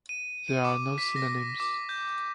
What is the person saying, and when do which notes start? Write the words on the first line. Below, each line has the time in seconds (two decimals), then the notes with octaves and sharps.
There are no synonyms.
0.09 D#7
0.48 D#7
0.64 D6
0.98 B6
1.16 A#6
1.60 D6
1.89 G6